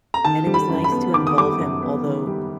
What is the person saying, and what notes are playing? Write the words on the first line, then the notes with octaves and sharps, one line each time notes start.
and it was nice to involve him, although
A#5
D#3 A5
G3
B5
F#2
B5
B3
D#3 D6
D#6
G3 D6
F#2
B3
D#3
G3